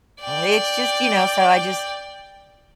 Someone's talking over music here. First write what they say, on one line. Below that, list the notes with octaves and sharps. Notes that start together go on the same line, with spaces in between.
It's just, you know, so I just
D5 G5